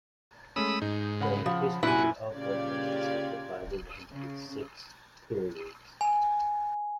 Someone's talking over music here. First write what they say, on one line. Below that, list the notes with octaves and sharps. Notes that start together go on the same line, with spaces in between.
The history of the Lands is divided into six periods.
G#3 A3 C#4 B5 D#6 E6
G#2 D#4
C#3 F#5 B5
F3
F#2 A#2 E4 F#4 G#5
A#2 C#3 F4 G4 D5 G#6
C#3
G#5